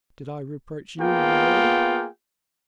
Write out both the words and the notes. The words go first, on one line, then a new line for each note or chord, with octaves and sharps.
"Did I reproach you, Raoul?"
A#3 B3 F4 G#4 G5